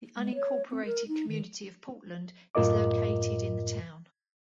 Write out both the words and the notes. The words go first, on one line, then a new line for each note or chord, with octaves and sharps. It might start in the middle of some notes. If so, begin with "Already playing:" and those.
The unincorporated community of Portland is located in the town.
G#3
C#5
C4
A#4
D#4
D#3
F#2 A2 F4 A#4 D#5 D6